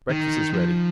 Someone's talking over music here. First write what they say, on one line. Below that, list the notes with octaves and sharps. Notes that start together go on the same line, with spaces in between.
Breakfast is ready.
D#3
F3